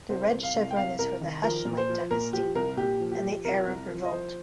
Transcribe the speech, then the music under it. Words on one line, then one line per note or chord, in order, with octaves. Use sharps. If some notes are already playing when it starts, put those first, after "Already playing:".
The red chevron is for the Hashemite dynasty, and the Arab Revolt.
C2 C5
C2
F5
C2
G5
C2 F5
C2 A#4
D#3
F3 A#4
A#2
C5
F3
A#2 A#4
F3 G4
C2 A#4
A#2 G4
F3
G4
F3
C2 A#4
C2
F3
D#5
F3 C5